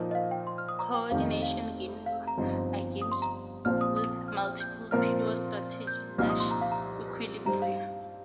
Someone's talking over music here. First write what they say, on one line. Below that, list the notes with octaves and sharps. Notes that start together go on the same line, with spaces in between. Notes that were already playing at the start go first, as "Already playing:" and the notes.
Coordination games are games with multiple pure strategy Nash equilibria.
Already playing: A#2 F3 A#3 D#4
D#5
F5
G5
C6
F6
D#6
A#5
G5
F1 F2 C3 D#3 F5
D#5
D#5
F5
F5
A#5
G1 G2 F3 C4 D#4
D#6
C6
A#5
A#1 A#2 F3 C4 F4 F6
D#6
D#6
F6
F6
G6
A#2 F3 C4 F4 A#4 F6
G6
C2 A#2 F3 D#4 F6
D#6
C6
A#5
F5
A#5
G2 G3 D#4 C5 A#5
F5